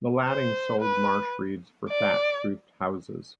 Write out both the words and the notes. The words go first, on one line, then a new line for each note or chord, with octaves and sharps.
The Lattings sold marsh reeds for thatched-roof houses.
C5
B4
D5